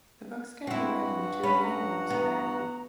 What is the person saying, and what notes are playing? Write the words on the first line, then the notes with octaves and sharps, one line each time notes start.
The books can be read in the two reading rooms available.
G2 C4 E4 F#4 F#5
C#4 B5
A#5
B3